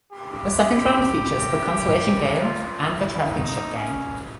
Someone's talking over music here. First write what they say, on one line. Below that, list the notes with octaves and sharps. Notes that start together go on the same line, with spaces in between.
The second round features the consolation game and the championship game.
G4
F4
E4
D#4
C#4